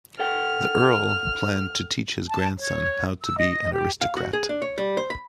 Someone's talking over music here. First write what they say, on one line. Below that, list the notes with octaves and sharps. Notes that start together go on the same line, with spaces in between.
The Earl planned to teach his grandson how to be an aristocrat.
A4 F#5 G5 F6
A5
C#5
E6
D#5
G4
F5
F#4
G#4
D4
C#5
G3
C5
B5